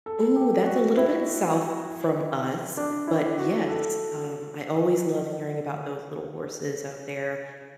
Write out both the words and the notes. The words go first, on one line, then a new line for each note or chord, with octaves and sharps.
Ooh, that's a little bit south from us. But, yes, um, I always love hearing about those little horses out there,
A4
G4
F#4
E4
D4
E4
F#4
A4